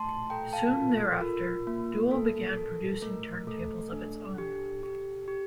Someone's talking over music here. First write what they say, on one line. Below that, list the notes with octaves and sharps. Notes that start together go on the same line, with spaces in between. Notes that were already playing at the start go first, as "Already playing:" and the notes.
Soon thereafter, Dual began producing turntables of its own.
Already playing: A3 A5 C6
A4 G5 A#5
F5 A5
F4 A#4
A4
F4 A#4
A#3
A4
A4
A3 A#4
A3 A4
D4
G4
G4
G4